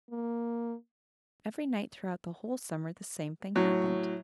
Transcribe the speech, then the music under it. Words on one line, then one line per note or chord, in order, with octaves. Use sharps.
Every night throughout the whole summer the same thing happened.
A#3
A2 F#3